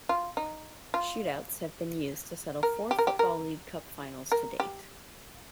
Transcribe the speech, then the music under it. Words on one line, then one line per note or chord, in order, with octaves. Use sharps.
Shoot-outs have been used to settle four Football League Cup finals to date.
F4
D#4
F4
A#4
G4
A#4
G4
A#4
A#4
G4